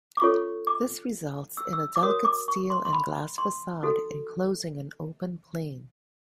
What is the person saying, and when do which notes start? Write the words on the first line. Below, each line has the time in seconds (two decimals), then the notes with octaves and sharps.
This results in a delicate steel and glass facade enclosing an open plane.
0.17 D6
0.21 C#4 F4 A4 C#5 C#6
0.67 D6
1.57 E6
1.73 E6
1.96 D6
2.03 F#4 A#4 C#5 D#6
2.25 D6
2.48 C#6
2.70 C6
2.85 C6
2.93 B5
3.38 C6
3.83 D#4 F#4 A4